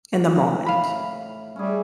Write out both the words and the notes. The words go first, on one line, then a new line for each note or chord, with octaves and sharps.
In the moment.
A2 F5 B5
G3 C#4 E4 G#4